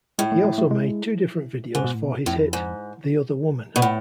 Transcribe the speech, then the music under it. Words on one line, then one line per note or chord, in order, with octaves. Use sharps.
He also made two different videos for his hit "The Other Woman".
A2 G#3
A3
G#3
A3
G#3
G#2 C#3
B2
A2
B2
F2 A2
G#2
B2
A2